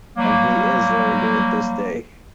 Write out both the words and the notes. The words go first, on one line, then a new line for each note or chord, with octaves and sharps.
And he is very great this day.
F#3 G3 A#3